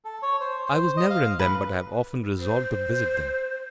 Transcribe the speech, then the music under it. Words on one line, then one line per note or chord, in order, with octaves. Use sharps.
"I was never in them; but I have often resolved to visit them."
A4
C#5
C5
C5
D#5
F5
B4
C5